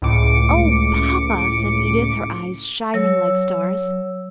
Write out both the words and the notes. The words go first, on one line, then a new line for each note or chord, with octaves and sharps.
"Oh, Papa!" said Edith, her eyes shining like stars.
C#2 A2 D6 C#7 D7
F#3 C#5 E6